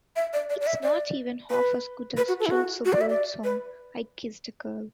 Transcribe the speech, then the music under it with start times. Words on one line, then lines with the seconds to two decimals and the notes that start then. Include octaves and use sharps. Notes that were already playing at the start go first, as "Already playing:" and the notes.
It's not even half as good as Jill Sobule's song 'I Kissed a Girl'.
0.16 E5
0.33 D5
0.50 D5
0.61 D5
0.67 E5
0.83 D5
1.50 B4
2.17 B4
2.28 F#4
2.40 A4
2.46 E4
2.51 F#4
2.85 F#4
2.93 D5
3.01 E5
3.10 D5
3.44 B4